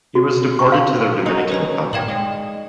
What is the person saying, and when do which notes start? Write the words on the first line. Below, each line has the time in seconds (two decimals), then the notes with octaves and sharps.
He was deported to the Dominican Republic.
0.15 F#4
0.59 C#6
0.72 F5
1.26 D#4 F#4
1.50 C#4 B4 C#5 A#5
1.93 A2 D5 F5 G5 G#6 E7 F#7
2.08 G#3